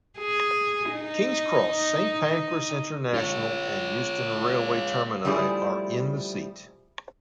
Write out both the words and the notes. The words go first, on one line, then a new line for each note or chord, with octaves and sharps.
King's Cross, Saint Pancras International and Euston railway termini are in the seat.
G#4
D#4
F4 C#5
F3 G3 A3 E4 G#4